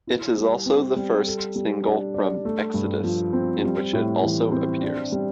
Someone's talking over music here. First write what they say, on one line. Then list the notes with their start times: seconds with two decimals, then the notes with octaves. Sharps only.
It is also the first single from "Exodus", in which it also appears.
0.07 E4
0.37 G3
0.66 C4
0.96 G3
1.26 A4
1.56 G3
1.86 D4
2.14 D5
2.45 A3
2.74 G2
3.04 F3
3.33 C4
3.63 G3
3.93 A2
4.23 E3
4.52 C4
4.82 D4
5.12 G3